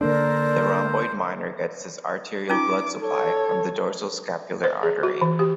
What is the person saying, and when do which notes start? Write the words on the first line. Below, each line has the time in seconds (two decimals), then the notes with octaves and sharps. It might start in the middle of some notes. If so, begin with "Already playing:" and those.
The rhomboid minor gets its arterial blood supply from the dorsal scapular artery.
0.01 D3 A#3 D4 A4 A#4 C5 D5
2.49 C#4 D#4 F4 D6
3.02 A4 C#5
4.64 C5
4.83 G#4
5.03 F#4
5.21 E3
5.39 G4